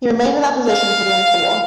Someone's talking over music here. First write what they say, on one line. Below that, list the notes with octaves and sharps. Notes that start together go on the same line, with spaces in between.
He remained in that position until the end of the war.
F5